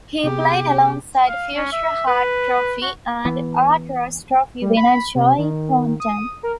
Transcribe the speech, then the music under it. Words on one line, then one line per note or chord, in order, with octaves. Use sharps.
He played alongside future Hart Trophy and Art Ross Trophy winner Joe Thornton.
C3 B3 G4 G#4
F5
C#4
E5
B4
F#4
E3 B3
G3
B5
C3
D#3
D#6
A#4